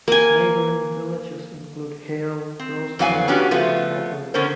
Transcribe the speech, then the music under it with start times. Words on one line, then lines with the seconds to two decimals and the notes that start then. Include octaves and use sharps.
Neighbouring villages include Hale, Rostherne and Mobberley.
0.08 A#3 G#5
2.59 C4
2.99 F2 E3 F#3 B3 F5 G#5
3.28 B3 C#4 D4 F#4 G4
3.51 F3 A3 B3 F4
4.34 D3 B3 C#4 A#4 C5